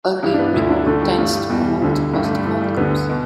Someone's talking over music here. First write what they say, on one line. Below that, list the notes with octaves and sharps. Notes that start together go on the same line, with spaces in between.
Early removal tends to promote positive outcomes.
G2 E3 E4
D4
B3
D2 D3 E4
D4
D2 D3 A3
G3
G2 E3 A3
G3
E2 B2 G3
D2 D3
G2 D3 G3
A3
G3
G2 E3 A3
G3
D2 D3 B3
B2